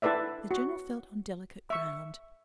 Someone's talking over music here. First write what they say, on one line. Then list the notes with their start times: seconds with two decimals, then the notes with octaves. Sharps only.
The General felt on delicate ground.
0.02 E4 A4 B4 D5 E5
0.51 F#4
1.70 E5 C#6